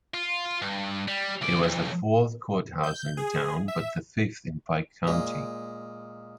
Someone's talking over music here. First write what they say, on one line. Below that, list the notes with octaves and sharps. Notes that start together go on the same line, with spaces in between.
It was the fourth courthouse in the town, but the fifth in Pike County.
F4
G2
G3
D2 D5
B1 F2
G6
G#4
E5
A#2 G#3